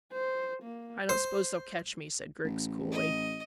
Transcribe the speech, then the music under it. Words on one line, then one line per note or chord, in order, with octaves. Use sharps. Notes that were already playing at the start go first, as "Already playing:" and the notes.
"I don't suppose they'll catch me," said Griggs coolly.
C5
A#3
C5
A1
D#5